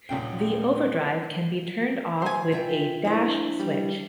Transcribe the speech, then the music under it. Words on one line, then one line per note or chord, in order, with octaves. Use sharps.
The overdrive can be turned off with a dash switch.
D#1 A#1 C#4 G5
C5 G#5
F4 E5 G5
F3 D4 E4
G3